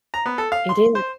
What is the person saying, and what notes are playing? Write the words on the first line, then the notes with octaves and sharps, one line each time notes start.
It is.
A#5
B3
A4
F5
C6
C5